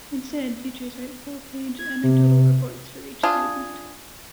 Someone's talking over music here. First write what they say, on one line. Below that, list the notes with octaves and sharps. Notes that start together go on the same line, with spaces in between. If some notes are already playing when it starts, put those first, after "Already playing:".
Instead, teachers write full-page anecdotal reports for each student.
G#6
C3
D4 F4 G#4